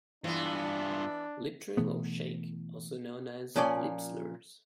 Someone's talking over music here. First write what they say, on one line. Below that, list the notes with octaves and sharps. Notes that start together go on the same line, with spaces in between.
Lip-Trill or Shake: Also known as "lip-slurs".
G2 E3 B3 D4 F4
B2 E3 A3 B3
A#2 F3 C#4 D5 G#5